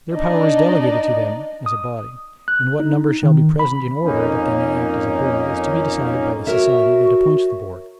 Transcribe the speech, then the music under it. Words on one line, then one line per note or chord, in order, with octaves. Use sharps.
Their power is delegated to them as a body, and what number shall be present in order that they may act as a Board, is to be decided by the society that appoints the Board.
D4 D#4 D5 D#5
D#6
F#6
D#4
D#3
B5
F2 A#3 C#4 D#4
F#4 A#4 C#5 E5